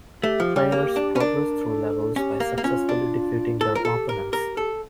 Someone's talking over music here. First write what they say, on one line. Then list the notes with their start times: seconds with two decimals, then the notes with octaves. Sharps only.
Players progress through levels by successfully defeating their opponent.
0.23 A3 G4
0.40 F3
0.56 G3
0.72 A#3 G4
0.96 D4
1.16 C#4
1.20 D4 A#4
1.68 A4
2.16 C#4 G4
2.40 A#3
2.58 A#3
2.64 C#4 F4
2.89 D4
3.60 E4 A4
3.75 F4 A#4
3.85 A4
3.93 G4
4.09 A#4
4.33 A#4
4.57 A4